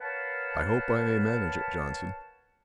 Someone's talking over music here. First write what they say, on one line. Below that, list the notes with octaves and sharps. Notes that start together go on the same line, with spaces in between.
"I hope I may manage it, Johnson."
A#4 B4 C#5 F5 F#5 A5